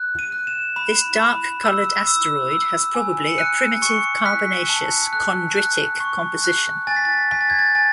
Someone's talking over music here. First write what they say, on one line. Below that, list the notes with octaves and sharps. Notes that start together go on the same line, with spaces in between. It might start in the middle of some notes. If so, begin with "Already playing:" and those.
This dark-coloured asteroid has probably a primitive carbonaceous chondritic composition.
Already playing: F#6
D#7
F#6
E7
B5 E7
B5
E6
E6
E6
G#5
C#7
F#6 D#7
C#6 C#7
F#6 B6
A5
F#6
F#6
C#6
F#6
G#5 A6
B6
A6
G#5 B6
A6
G#6
A6
G#5 A6